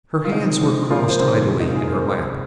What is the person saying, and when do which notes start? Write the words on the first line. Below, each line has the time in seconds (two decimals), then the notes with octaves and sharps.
Her hands were crossed idly in her lap.
0.25 F4
0.32 C3 D#3 G#3 D#4
0.60 C3 F3 G#3
0.90 A#2 F3 G#3 F4
0.99 A#4
1.09 C5
1.19 C3 D#3 G#3 C5
1.48 C3 D#3 G#3
1.60 D#4
1.68 F4
1.76 A#2 G#3 G#4
1.84 A#4
1.92 C5
2.06 C3 G#3